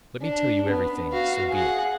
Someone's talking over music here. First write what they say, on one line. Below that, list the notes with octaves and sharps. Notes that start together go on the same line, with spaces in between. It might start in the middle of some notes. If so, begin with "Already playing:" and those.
Let me tell you everything, so be it.
D4
B3
F#4 F5
G#4 F#5